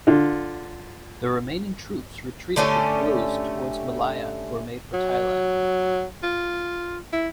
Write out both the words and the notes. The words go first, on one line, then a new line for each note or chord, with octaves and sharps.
The remaining troops retreated with Bose towards Malaya or made for Thailand.
D3 F4
D3 A3 C#4 G4
F#3
F4
E4